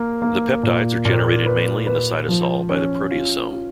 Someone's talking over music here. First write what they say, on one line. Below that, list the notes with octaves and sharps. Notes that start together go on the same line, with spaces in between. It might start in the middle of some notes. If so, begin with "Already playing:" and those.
The peptides are generated mainly in the cytosol by the proteasome.
Already playing: A#3
A#3
A#2
A#2
B4
B4
F3
C#4
F4
F4